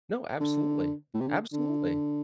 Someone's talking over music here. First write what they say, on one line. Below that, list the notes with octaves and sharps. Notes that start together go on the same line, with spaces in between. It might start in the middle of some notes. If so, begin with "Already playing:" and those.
No, absolutely. Absolutely.
D3
A2
C3
D3
D3